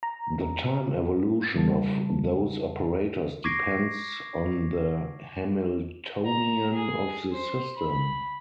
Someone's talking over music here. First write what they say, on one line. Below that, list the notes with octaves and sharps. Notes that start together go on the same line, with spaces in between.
The time evolution of those operators depends on the Hamiltonian of the system.
A#5
C#3 G3 A#4 A5
C#6 D6 G#6 A#6 C7 D7
A#5
G#4
C5
B5